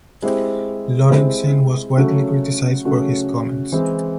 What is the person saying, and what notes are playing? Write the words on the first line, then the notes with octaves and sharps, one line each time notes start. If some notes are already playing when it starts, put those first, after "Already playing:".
Lorentzen was widely criticized for his comments.
G#3 C4 E4 G4 C5
G#3 C4 E4 G4 C5
C#3 F#3 A3 C#4 F#4
C#3 F#3 A3 C#4 F#4
E3 G#3 C4